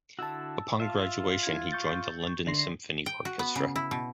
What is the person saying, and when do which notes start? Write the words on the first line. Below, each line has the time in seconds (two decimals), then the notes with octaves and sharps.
Upon graduation he joined the London Symphony Orchestra.
0.19 D3 E4 F#4 A5 E6
0.80 F4 E5 F5
1.43 E4 G#6
1.72 C#6 G6 A6
2.47 D3 D5 E5 C6 A#6 C7
3.06 G5
3.25 F#4
3.39 B3
3.56 C#3
3.76 E4
3.91 B2